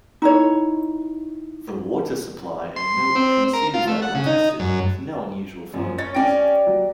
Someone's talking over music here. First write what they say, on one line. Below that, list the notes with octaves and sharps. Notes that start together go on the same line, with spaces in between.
The water supply and milk consumed there were tested, with no unusual findings.
D#4 E4 C#5
C6
C4
A#4
F4
A3
F#5
C#3
D#4
F#2
F#2 F3
C#4 A6
C#4 G4 D5 A#6 D7
F#3